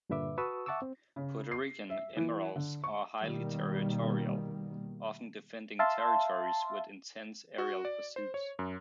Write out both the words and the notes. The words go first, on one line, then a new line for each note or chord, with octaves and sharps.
Puerto Rican emeralds are highly territorial, often defending territories with intense aerial pursuits.
G2 A#2 D3 B4 E5 D6
F#4 B4 A5 C#6 D#6 E6
E5 F#5 A5 C#6 D6 E6
C4
C#3
C7
E5
E3
D3
C#6
B2 D#3 G3 A#3
E5 F5 A5 C6
F#4
D5
C5
C#5
F#2